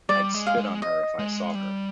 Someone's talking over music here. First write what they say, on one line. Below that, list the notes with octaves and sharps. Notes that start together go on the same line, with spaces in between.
I'd spit on her if I saw her.
G3 D5
G#3
F5
G#3
D#5
G#3
G3